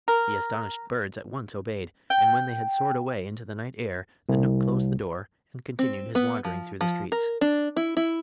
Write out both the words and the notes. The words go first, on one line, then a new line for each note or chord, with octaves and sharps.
The astonished birds at once obeyed, and when they had soared away into the night air the knook closed the door and continued his wandering through the streets.
A#4
G5
C2
C4
B3
F3
F3
A#4
D4
E4
E4